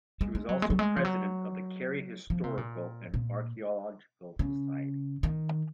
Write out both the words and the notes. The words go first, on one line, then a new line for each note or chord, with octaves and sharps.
She was also President of the Kerry Historical and Archaeological Society.
G#3
G#3
F#3
G#3
F#3
G#3
F3
F#3
F3
C3
A#2
A#2
C#3
D#3